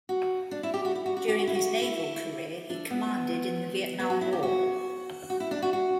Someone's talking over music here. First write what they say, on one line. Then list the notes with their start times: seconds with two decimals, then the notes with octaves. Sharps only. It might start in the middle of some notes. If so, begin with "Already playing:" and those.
During his naval career he commanded in the Vietnam War.
0.09 F#4
0.51 D4
0.63 E4
0.74 G4
0.85 F#4
0.95 E4
1.06 F#4
1.17 F#4
1.28 G4
1.39 F#4
1.47 E4
1.55 F#4
1.82 E4
2.70 D4
2.91 B3
3.99 B3
4.10 F#4
4.21 E4
4.33 G4
4.43 F#4
5.30 F#4
5.40 E4
5.51 D4
5.62 F#4
5.73 F#4